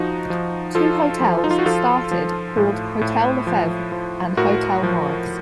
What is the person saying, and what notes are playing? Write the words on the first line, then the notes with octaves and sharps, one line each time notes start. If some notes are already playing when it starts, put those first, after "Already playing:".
Two hotels started called Hotel Lefevre and Hotel Norris.
Already playing: F3 D#4 F#4
F3
F3 F4 A4
F3
D#4
F4
F#4
F3 F4 A4
F3
A2
A2
F3
F3
A2 F#4 A#4
F3